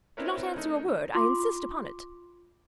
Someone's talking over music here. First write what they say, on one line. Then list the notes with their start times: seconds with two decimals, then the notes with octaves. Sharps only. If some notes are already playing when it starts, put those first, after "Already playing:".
Do not answer a word; I insist upon it.
0.17 C4 D4 E4 A#4 B4 C#5
0.56 C#3 A3 D#4
1.15 F4 C6 D6